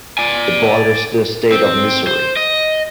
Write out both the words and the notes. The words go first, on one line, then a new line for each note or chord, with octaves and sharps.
It borders the state of Missouri.
D5 G#5
C4
C5
D#5